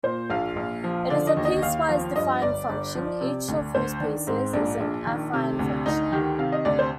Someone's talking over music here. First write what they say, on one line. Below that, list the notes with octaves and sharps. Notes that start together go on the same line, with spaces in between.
It is a piecewise-defined function, each of whose pieces is an affine function.
A#2 C5
A#1 F5
A#1
F3
D3 D5
D#5
D#2
D#5
D#2 F5
F3 F5
G2 D#5
G1 D5
G1
F3
C3
D2
D2 C5
D#3 D4
G#2 C4
A#1 D4
A#1
D#3
C3
D2
D2 D#4
D#3 G4
C3 F5
D#5
D2 D5
C5